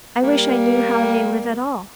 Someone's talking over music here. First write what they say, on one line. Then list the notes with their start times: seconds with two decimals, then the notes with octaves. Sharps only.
I wish I knew how they live at all.
0.22 G3 A#3